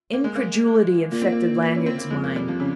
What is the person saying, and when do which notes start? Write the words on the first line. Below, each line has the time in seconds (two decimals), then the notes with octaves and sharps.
Incredulity infected Lanyard's mind.
0.13 A#3
0.24 G#3
0.36 A#3
1.12 A#2 A#3
1.22 C4
1.32 A#3
1.62 E4
1.75 C#4
1.86 C4
1.98 A#3
2.10 F2 G#3
2.24 A#3
2.36 G3
2.49 F3
2.60 C#3